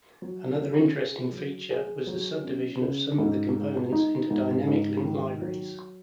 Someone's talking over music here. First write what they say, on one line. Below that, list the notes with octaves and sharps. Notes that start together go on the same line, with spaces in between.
Another interesting feature was the subdivision of some of the components into dynamic-link libraries.
F#3
C#4
G#4
F#3
G#4
F#3
C#4
C#3
G#2
G#3
D#4
G#2
G#2
D#3
F#3